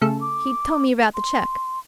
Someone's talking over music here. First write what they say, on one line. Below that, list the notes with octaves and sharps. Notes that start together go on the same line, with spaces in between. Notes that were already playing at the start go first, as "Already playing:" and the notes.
He told me about the cheque.
C#3 A3 A4 A5
D6
C6